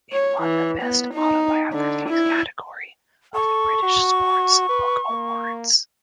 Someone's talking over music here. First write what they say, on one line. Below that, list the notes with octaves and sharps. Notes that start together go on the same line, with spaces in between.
It won the Best Autobiography category of the British Sports Book Awards.
C#5
E3
B3
D#4
D3
E4
A4 C#6
F#4
B4
A#3